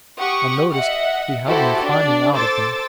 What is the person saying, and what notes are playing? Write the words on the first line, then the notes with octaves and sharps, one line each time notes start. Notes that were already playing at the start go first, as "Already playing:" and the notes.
Unnoticed, we had been climbing out of them.
G4 F#5 C#6 D#6
D#5 E5 F#5
E4 F#4 G4 A4 C5
D4 D5
A4 C5 D6 E6 A6